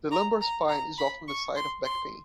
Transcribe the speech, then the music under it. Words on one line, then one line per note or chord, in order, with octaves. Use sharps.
The lumbar spine is often the site of back pain.
A#5
A#5
A#5
B5
C#6
C6
C6